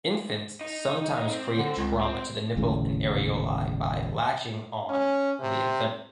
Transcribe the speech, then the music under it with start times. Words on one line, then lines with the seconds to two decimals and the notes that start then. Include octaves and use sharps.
Infants sometimes create trauma to the nipple and areolae by latching-on of the infant.
0.61 D#4
1.30 C4
1.58 D3
1.76 C#2
2.01 C4
2.56 G1 D#2 A2 C#3
4.89 C#4
5.40 C3